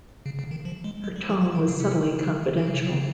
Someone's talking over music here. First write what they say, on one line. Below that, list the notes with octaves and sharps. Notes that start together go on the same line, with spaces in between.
Her tone was subtly confidential.
C#3
C#3
D#3
F3
G#3
G#3
G3
F3
F3
D#3
C#3
C3
C#3
D#3
C#3
C3
C#3